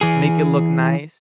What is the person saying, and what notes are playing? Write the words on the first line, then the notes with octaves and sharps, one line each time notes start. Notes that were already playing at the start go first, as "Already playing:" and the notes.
make it look nice.
E3 G#4